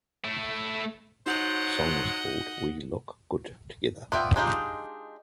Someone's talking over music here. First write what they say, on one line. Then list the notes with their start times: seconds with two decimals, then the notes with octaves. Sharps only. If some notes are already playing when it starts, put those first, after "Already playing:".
The song was called "We Look Good Together".
0.25 A3 E4
1.26 F#3 D#4 F4 F#4 C5 D#5 F#5 G6
4.12 B3 F4 D5 E5 G5
4.36 G#3 D4 D#4 F4 G4